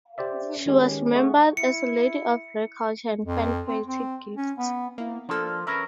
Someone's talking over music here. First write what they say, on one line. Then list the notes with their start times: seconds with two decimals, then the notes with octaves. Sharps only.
She was remembered as "a lady of rare culture and fine poetic gifts".
0.18 G4 C5 D5 E5
0.66 D#3 G#3 C#4 G4
1.15 A3 G#4 F#5 C#6
1.57 E4 C#7
3.25 F2
3.67 C4
3.86 C4
4.37 C#4
4.59 B3
4.98 A#3 E4
5.29 F3 A#3 D4 A4
5.67 C#4 A#4 B4 E5